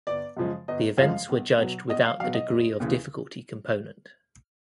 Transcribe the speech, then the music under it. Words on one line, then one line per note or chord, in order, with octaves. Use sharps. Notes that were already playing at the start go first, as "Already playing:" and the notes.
The events were judged without the degree of difficulty component.
G1 D5
F#2 C#3 F3 G#3
G1 D#5
F#2 C#3 F3 G#3 F5
B1
B2 F#3
B1 D#5
F5
B2 F#3 F5
D#5
F1
D#2 C#3 E3